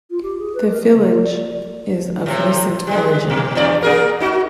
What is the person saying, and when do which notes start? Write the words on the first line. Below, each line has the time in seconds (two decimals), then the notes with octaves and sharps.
The village is of recent origin.
0.11 F4
0.22 G4
0.38 G#4
0.55 B4
0.70 A#4
0.82 A3
0.96 C#3
1.09 F4
1.23 D5
2.26 A2 C3
2.87 G3 G#3
3.30 B2
3.55 E2 G2 D5
3.82 A#3 G#4 A#4
4.20 D#4 F#4